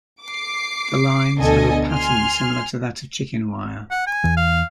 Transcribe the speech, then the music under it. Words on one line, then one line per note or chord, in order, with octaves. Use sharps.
The lines have a pattern similar to that of chicken wire.
D6 C7
D2 B2 D3 A4 D#5 G#5
G#5 C6 F6
F#5
G#5
E2 E3
F5